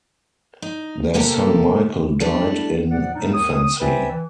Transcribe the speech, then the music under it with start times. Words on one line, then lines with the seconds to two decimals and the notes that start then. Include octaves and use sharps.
Their son Michael died in infancy.
0.62 D#4
1.14 C3 A3 A#3 G4 A4 A#4
2.20 G3 A3 D4 E4
2.91 E2 A#2 F3 D5 F#5
3.13 A#2 F#3 G3 D4 D#4
3.33 D#2 D#3 C#5 D#6
3.63 D#6
3.80 B4 C5 D5 E5 G5 G#5
4.11 E3